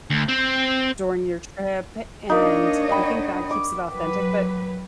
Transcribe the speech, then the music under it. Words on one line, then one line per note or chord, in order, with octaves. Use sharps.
during your trip. And I think that keeps it authentic, but,
D2
C4
A#3 D4 D#4 C#5 D#5
F#5 G5 B5
D6
F#3 B4